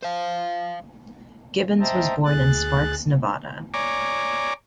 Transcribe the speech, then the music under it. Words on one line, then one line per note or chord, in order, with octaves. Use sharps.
Gibbons was born in Sparks, Nevada.
C5 F5
C5 D#5 E5 G5 A5 A#5
D2 G#4 F#6 A6
C#5 D5 G#5 A#5 D6